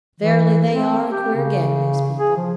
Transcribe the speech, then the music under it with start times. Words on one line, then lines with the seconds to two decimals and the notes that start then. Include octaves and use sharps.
Verily, they are a queer gang, these people.
0.20 E3
0.70 C4
1.09 G4
1.35 C#3
2.17 G#4
2.37 F3